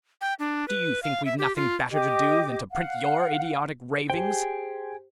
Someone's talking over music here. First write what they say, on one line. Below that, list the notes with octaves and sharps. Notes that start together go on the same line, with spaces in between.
Do you think we've nothing better to do than to print your idiotic ravings?
G5
D4
B4
F5
E5
G4
F4
G4 D#5 D6
F5 F#5
G4 G#4 C5 G5